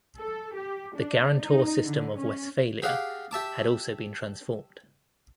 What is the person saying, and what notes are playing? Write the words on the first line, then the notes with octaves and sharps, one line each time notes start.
The guarantor system of Westphalia had also been transformed.
A4
G4
D4
D#4
D3
C#4
G4 G#4 F5 F#5 D6
G4 E5 A5 D6